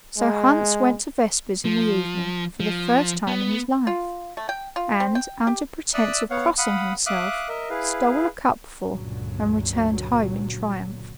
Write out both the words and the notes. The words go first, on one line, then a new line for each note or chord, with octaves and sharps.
So Hans went to vespers in the evening for the first time in his life and, under pretense of crossing himself, stole a cupful and returned home in triumph.
G#3
F3
F3
B3
F4
A3
G5
F4
C4
G5
G4
D5 E5 D#6 E6 F#6
B3 C#5 F5 F#5
F5 F#5 B5 D#6
E5 F5 D6 D#6 F#6
A#4 D#5 E5
E4 G#4 B4 F5
C#2 G2 A#2 D3 F#3